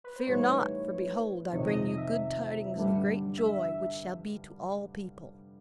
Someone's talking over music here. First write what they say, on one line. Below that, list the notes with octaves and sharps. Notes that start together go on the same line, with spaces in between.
"Fear not: for behold, I bring you good tidings of great joy, which shall be to all people."
B4
C5
A2 E3 G3 B3 D#4 C#5
F2 C3 D#3 C#5
D#5
D#5
E5
G2 D3 G3
E5